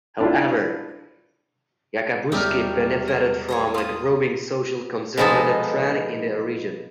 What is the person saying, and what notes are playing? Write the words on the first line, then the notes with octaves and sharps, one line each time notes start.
However, Yakabuski benefited from a growing social conservative trend in the region.
D4 E4 F4
E1 G3 D#4 G4 E5 F6
A#4
G#4 A4 C#5
F4 D#6
B2 F3 G#3 D#4 A4